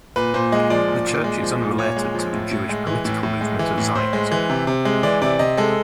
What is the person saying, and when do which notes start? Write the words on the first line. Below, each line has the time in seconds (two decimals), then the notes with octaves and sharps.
The church is unrelated to the Jewish political movement of Zionism.
0.16 A#2 B4
0.34 A#2 C5
0.52 G#3 D#5
0.70 F3 D5
0.88 A#2
1.06 A#2
1.24 G#3
1.42 F3
1.61 A#2
1.79 A#2 C#5
1.97 G#3
2.15 F3
2.33 A2
2.51 A2
2.69 G#3
2.87 E3
3.05 A2
3.23 A2
3.41 G#3
3.59 E3
3.78 A2
3.95 A2 C5
4.13 G#3
4.32 E3
4.50 C3
4.67 C3
4.85 G#3
5.03 E3 D5
5.22 C3 D5
5.39 C3 D#5
5.57 G#3 A4